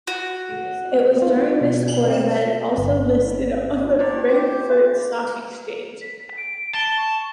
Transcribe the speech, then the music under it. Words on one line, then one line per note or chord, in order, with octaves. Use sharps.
It was during this quarter that it also listed on the Frankfurt Stock Exchange.
F#4
F4
B2
C4
G1
A#3 E4 F4 D5
G4 C5
B6
D7
A5 G7
C#6